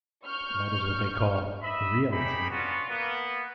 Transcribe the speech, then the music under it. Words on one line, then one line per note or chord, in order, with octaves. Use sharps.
That is what they call realism.
C#6 F6 G6
D#5 E5 B5
D#4 G4 G#4 A#4 E5 B5
B3 C#4 D4 F4 F#4
A#3 B3